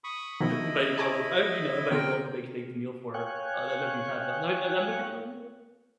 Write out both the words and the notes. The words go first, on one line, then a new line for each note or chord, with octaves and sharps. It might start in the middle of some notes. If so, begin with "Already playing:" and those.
invite a girl over I've you know, invite a girl over, make make the meal for her, although that might be kind of, uh, that that might be the way to do it.
B5 C#6 D#6
B2 D#3 F3 E4 D#5 B5
G#5 A5 D6
B2 D3 C4 A#4 G5
C#5 F5 G5 G#5 C#6 F#6